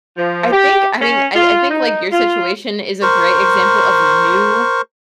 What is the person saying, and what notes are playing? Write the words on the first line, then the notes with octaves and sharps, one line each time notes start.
I think I mean, I I think, like, your situation is a great example of new
F3
G4
C#4
F4
D#4
F4
A#4 C5 C#6